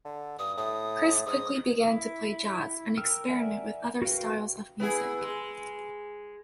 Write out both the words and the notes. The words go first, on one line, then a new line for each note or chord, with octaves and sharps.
Chris quickly began to play jazz and experiment with other styles of music.
D3
G2 D#6
A2 D#6
G#2 D#6
E4
A#4 G5 E6 F6
A#4 D5 E5 F#5 G#5
F#4 A#4 B4 F5 G5
B3 E4 G#4
G#3